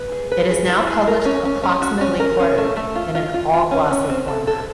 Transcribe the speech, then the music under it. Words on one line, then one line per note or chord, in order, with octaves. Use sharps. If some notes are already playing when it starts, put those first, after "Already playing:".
It is now published approximately quarterly, in an all-glossy format.
Already playing: B4
G#4
B4
G#4
E4
G#4
A#4
C#4
C#4
C#4
F#4
C#4
A#4
C#4
A3
A3
F4
F4
F4
F4
C#4
C#4
C4
A4
A4